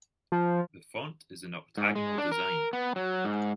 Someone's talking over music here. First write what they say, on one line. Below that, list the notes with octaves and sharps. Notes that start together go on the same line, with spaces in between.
The font is an octagonal design.
F3
G#2
G#3
D4
A#4
B3
F#3
G#2